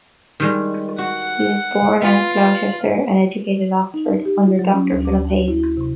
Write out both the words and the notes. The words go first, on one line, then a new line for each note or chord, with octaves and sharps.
He was born at Gloucester, and educated at Oxford under Doctor Philip Hayes.
D#3 G3 G#3
F#4 F#5
B3 F4
D#4
G4
F4
F#3
C#4
D2
D6
F#4
E4
C3